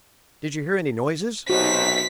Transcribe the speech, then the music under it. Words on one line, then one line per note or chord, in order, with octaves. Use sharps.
"Did you hear any noises?"
B1 C3 D#4 F#4 C5 B6